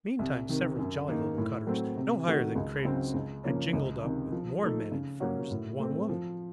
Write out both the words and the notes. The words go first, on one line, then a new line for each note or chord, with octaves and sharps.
Meantime several jolly little cutters, no higher than cradles, had jingled up with more men in furs and one woman.
C2
C3 D#3
F#2
D#3 A#3 D#4
A2
F#3 A3 C4
C3
D#3 A3 D#4 F#4
C#2
C#3 F#3 C4
C#2
C#3 F3 A#3 C#4
C#2
C3 D#3
F3
A3 D#4 A4
C#3
F#3 A#3 C#4 F#4
A2
A3 C4
F3